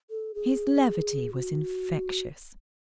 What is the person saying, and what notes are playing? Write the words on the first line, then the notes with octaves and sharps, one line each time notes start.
His levity was infectious.
A4
G#4
F#4